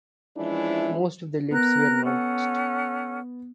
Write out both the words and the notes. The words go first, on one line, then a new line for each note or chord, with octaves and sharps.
Most of the lips were notched.
E3 F3 G#3 C#4 D4 E4
B3 A#4 A#5 F#6
C#4 A4 F#5